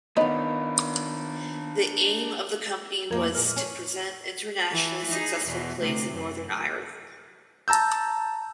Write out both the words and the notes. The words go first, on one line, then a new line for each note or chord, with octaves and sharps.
The aim of the company was to present internationally successful plays in Northern Ireland.
D#3 B3 D4 D#4 F4 C#5 B5
F2 G3 A#3 E4 A#4 G#6
A#2 G#3 F6
C#4
E3
D#4 G#4
E2 B2
D2 C3
F#2
A5 A#5 E6 G6